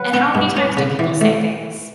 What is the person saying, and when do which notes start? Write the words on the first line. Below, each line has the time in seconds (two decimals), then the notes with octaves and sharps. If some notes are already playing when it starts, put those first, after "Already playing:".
And how many times do people say things
Already playing: F#3 B4
0.14 B3
0.35 G2
0.57 C#4
0.77 C#3
0.99 E3
1.21 A3